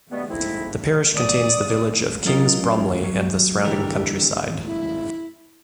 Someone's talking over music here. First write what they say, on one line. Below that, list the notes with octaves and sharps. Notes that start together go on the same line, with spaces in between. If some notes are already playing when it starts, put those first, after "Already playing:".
The parish contains the village of Kings Bromley and the surrounding countryside.
B2 G3 A3 B3
A3 C4 D#4 E4
D5 D#6
F#3 C#4 F4 A#4 D#5
F#3
D3 E3 G3 G4 A#4
E4